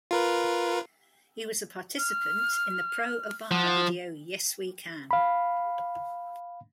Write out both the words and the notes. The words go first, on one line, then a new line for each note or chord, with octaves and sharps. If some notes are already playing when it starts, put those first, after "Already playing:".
He was a participant in the pro-Obama video, "Yes We Can".
F4 A#4 B4
F6
F3 F#5
F5 B5